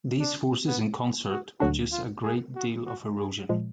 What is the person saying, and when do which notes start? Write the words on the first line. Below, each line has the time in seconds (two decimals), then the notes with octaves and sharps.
These forces in concert produce a great deal of erosion.
0.19 D4
0.67 B3
1.29 F#4
1.60 D2 D3 F#3 D4 F#4
1.92 F4
2.23 G#4
2.55 F#4
2.86 F#4
3.18 G#4
3.49 A#2 F3 G#3